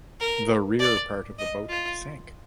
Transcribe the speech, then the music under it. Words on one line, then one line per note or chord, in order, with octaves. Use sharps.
The rear part of the boat sank.
A#4
D5
D#5
F4